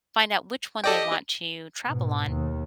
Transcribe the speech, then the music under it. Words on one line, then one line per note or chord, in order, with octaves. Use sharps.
find out which one they want to travel on,
G4 A4 D5 D#5 G5
G#2 B2
D#2